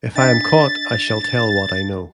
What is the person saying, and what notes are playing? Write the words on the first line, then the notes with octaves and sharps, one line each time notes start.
If I am caught I shall tell what I know.
D4 D#5 A6 B6